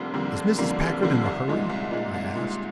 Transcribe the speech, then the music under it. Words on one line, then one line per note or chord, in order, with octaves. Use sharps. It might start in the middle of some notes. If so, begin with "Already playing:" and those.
"Is Mrs. Packard in a hurry?" I asked.
Already playing: F1 F2 D3 G3 A#3
F2 D3 G3 A#3
F1
F2 D3 G3 A#3
F1
F2 D3 G3 A#3
C2
A#2 G#3 D#4
C2
A#2 G#3 D#4
C2
A#2 G#3 D#4